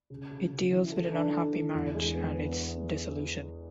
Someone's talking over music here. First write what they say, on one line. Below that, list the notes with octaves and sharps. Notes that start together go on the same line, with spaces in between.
It deals with an unhappy marriage and its dissolution.
C#3
C#3
C#3
E3
A4
D4
A4
E3
E2
G#3
B3
B3